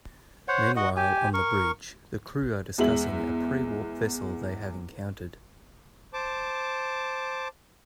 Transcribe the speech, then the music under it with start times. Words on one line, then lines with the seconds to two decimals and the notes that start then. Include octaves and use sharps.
Meanwhile, on the Bridge, the crew are discussing a pre-warp vessel they have encountered.
0.48 C5 C#5 F#5
0.76 F#4 D#5 F#5
0.97 G4 G#5
1.34 A#4 C#6
2.78 E2 G#3 E5 F#7
6.13 C5 A5 D6